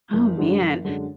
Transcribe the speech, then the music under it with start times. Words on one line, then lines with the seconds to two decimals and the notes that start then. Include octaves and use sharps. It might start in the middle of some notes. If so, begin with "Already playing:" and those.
Oh, man.
0.13 F#1
0.37 F#2 D3 G#3 D4
0.61 F#1
0.85 F#2 D3 G#3 D4